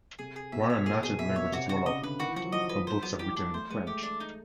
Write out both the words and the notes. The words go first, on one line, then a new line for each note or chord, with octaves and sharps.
While her native language is Wolof, her books are written in French.
C3 G#4
G#4
B2 E5
C#5
A#2 G#4
B2 G#4
B2 E5
A#2
B2 C#5
C3 F#4
F#4
C#3 D#5
D3 B4
D#3 F#4
E3
F3 F#4
F#3
F3 D#5
B4
F3 C5
F#3 B3
E3 G4
E3 D4
A3 C5
G#3 B3
A3 G4
D4
D#4